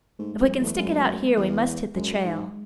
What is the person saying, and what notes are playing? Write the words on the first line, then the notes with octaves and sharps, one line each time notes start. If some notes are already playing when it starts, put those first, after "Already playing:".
If we can stick it out here we must hit the trail ...
G#2 A3
F#2 G#3
F#3
E2 A3
F#2 G#3
E2
F#2 G#3
G#2